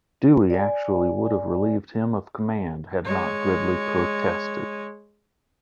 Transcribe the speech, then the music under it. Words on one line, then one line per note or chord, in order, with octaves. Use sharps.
Dewey actually would have relieved him of command had not Gridley protested.
D5 G#5
G#3 C#5